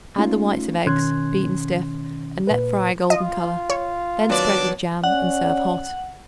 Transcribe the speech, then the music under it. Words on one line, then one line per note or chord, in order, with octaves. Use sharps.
Add the whites of eggs, beaten stiff and let fry a golden color; then spread with jam and serve hot.
A3 C#4 D#4 F4
B2 D#3 C#4 C6 F#6 G#6
A#2 B4
F4 D#5
C#5
D#3 F#3 B3 D4 D5
C#4 D5 F#5